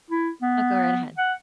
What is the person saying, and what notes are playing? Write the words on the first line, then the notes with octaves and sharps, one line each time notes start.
Oh, go right ahead.
E4
B3
F#5